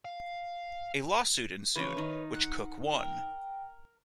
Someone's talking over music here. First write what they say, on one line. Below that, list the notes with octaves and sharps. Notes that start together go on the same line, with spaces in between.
A lawsuit ensued, which Cook won.
F5
F2 C#3 E3 B4 C#5
D#3 D#4
F#5
A#4 G5